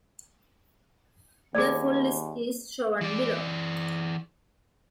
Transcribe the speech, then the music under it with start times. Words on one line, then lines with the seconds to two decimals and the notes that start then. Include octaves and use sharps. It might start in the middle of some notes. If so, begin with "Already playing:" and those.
The full list is shown below.
1.55 D#2 G#4 A#4 D5
3.01 E3 D5